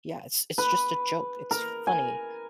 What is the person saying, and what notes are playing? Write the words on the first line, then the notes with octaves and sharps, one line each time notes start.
Yeah, it's it's just a joke; it's funny,
B4
A#4
G#5